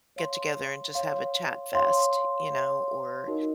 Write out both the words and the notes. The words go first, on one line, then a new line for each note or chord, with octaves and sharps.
get together and just have a chat fest", you know, or
C#5 F5 C6
C#5 F5 C6
C#5 F5 C6
C#5 F5 C6
D#4 F#4 A#4 D#5